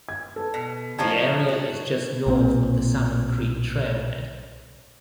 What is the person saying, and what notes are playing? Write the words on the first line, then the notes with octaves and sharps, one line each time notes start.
The area is just north of the Salmon Creek trailhead.
G#6
A4 B4
B2
F3 C#4 D#4 A5 G#6
F#4
B1 A#2 C4